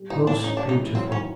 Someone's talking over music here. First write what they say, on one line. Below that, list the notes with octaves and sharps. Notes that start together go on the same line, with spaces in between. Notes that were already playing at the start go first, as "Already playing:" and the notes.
Most beautiful.
Already playing: G3
E3 D#4
A2 D4
C#4 D#4
D4
G#3
D#4
E3
F#3 C4
D#3 C#4